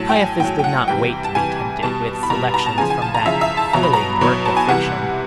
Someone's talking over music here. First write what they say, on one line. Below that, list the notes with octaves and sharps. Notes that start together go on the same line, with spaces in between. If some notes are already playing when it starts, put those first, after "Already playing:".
Caiaphas did not wait to be tempted with selections from that thrilling work of fiction.
Already playing: A2 F#3 A5
G5
G#5
A2 F#3 G5
G5
F#5
C3 E3 G3 G5
A5
C3 E3 G3 G#5
B2 G3 A5
B5
B2 G3 A#5
A#5
A5
C#3 F3 G#5
G#5
A5
A#5
C#3 F3 E5
E5
A5
B2 F#3 A#5
B5
A#5
B2 F#3 B5
A5
G#5
C3 E3 G3 F#5